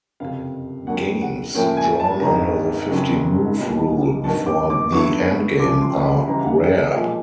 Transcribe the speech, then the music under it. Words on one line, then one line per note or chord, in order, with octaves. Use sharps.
Games drawn under the fifty-move rule before the endgame are rare.
F#1 F2 C3 F5
F2 D3 F#3 A#3 F#5
F#5
A2 F3 A#3 C#4 G5
G#5
A5
G#1 G2 D#3 A#5
F#1 F2 C#3 F#3
B1 A#2 G3 B3 D#4
G#1 G2 D#3 F#3 A5
D6
D6
G2 D3 F#3 B3 E4 C#6
D2 C#3 F3 D6
C6
C6
B5
C#2 C#3 E3 G3 A#5
F5
F#5
G5
B1 A#2 F3 G#3 G#5